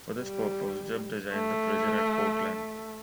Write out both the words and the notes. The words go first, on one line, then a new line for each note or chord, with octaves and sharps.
For this purpose Jebb designed the prison at Portland.
G3
A3